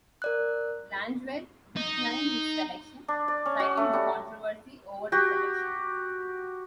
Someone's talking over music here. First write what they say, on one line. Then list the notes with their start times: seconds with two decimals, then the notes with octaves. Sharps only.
Langeveldt declined his selection, citing the controversy over the selection.
0.22 A#4 D5 F#6
1.77 D#4
3.08 D4
3.28 D5
3.46 C#4
3.60 F#4
3.77 A3
3.93 G3
5.12 F#4 G4